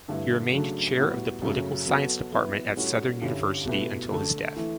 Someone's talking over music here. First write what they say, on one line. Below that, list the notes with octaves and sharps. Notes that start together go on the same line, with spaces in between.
He remained chair of the political science department at Southern University until his death.
G2 D3 A3 E4 B4
C#3 F#3 A3 D4
A2 G3 B3 F#4
F#2 C#3 F#3 A3 C#4
F#3 B3 F#4 A4
F#3 B3 E4 B4
A2 G3 C#4 F#4 A4
G2 D3 G3 C#4 E4
B2 A3 E4 G4 B4
D3 A3 D4 A4
E3 A3 E4